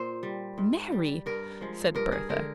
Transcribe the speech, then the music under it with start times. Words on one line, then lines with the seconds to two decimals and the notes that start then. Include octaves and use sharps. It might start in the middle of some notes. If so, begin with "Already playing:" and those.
"Mary!" said Bertha.
Already playing: A#2 C5
0.23 G3
0.58 G#2
0.92 G3
1.26 G2 A#4
1.61 F3 G#3
1.95 G2 A#4
2.12 G#4
2.29 D3 G#3 A#4